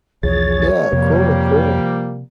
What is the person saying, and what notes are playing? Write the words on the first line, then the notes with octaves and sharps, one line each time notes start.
Yeah, cool, cool.
B1 E2 F3 G#4 C#5 A6
F2 C3 F3 G3 A#3